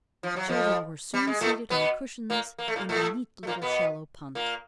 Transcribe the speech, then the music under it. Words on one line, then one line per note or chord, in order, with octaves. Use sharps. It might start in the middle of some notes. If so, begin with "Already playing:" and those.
The children were soon seated on cushions in the neat little shallow punt.
F3
F#3
F2 F3
G3
G#3
A2 A3
B2 B3
A#2 A#3
A#3
A3
A#2 A#3
A2 A3
A3
A#2 A#3
B2 B3
A#2 A#3